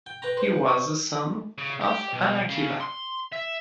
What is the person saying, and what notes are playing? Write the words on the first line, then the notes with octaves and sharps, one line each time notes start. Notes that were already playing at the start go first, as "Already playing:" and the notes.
He was the son of Anaquiba.
G5
B4 G5 A#5
B4 C5
D5 C#6
C#3
G4
B1
C#3
C6
E5